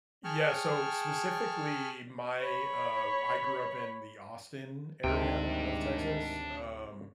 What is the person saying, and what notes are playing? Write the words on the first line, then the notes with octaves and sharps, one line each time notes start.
Yeah. So, specifically, my, uh, w I grew up in the Austin area of Texas, um,
G#4 G5 A5 C#6 F6
C#5 B5
D2 G#2 C3 D#3 D4 G5